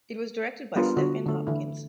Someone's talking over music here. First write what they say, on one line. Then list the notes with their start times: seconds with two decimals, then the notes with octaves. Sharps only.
It was directed by Stephen Hopkins.
0.76 G3 B3 D4 F4 G#4 A#4
0.97 D3 F#4
1.26 D3 A3
1.47 D3 E3 E4